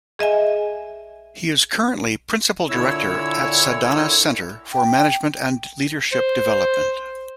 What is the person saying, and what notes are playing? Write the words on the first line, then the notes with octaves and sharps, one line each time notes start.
He is currently Principal Director at Sadhana Center for Management and Leadership Development.
G#4 D#5 E5 G#5
A#2 D3 E4 C#5 E6
G5
C5